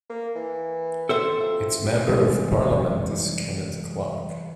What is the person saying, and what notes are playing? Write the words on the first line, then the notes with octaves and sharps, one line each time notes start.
Its Member of Parliament is Kenneth Clarke.
A#3
E3
A4 C5 E5
F2
C3 E3 G3 G#3